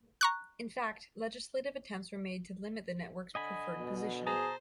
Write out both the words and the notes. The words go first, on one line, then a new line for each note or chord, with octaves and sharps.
In fact, legislative attempts were made to limit the network's preferred position.
A#5 C#6 F#6
D3 D#5 G#5 B5
B2
G#4 C5 A5 A#5